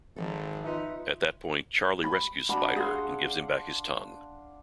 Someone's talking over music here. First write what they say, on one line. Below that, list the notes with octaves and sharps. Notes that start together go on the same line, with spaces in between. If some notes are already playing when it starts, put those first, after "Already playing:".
At that point, Charlie rescues Spider and gives him back his tongue.
G#1 D#3 F3 A4
D#4 F4 B4 E5
B5
D4 F#4 B5
G#4 F5 F#5 C6